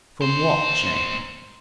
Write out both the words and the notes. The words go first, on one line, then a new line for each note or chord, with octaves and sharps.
"From what, Jane?"
A#2 C5